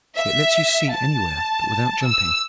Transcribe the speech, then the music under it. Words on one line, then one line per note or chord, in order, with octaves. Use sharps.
It lets you see anywhere, but without jumping.
E5
A5
E6